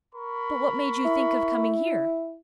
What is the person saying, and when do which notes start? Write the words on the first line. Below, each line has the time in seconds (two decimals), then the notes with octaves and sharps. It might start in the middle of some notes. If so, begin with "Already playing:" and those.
"But what made you think of coming here?"
0.14 A#4 B5 C#6
1.05 E4